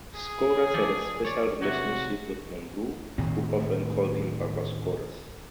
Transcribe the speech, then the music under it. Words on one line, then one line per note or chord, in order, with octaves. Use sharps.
Skouras had a special relationship with Monroe, who often called him "Papa Skouras".
G#4
F3 A4 D5
C#5 D5
C3 F#3 F#4
D2 A2 D#3 C4